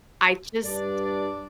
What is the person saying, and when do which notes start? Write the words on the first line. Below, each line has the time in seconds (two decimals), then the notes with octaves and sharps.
I just
0.64 G2 D4 D5